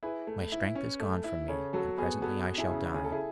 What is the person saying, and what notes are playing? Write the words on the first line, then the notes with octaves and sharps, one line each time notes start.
My strength is gone from me, and presently I shall die.
E4 G#4 B4
A3
E4
C#4
A3
E4
C#3 A4 C#5
F#3 F#4 A4
B3 G#4 B4
B3 F#4 A4
B3
E4 G#4
C#3
C#3 G#4
A4
E4 G#4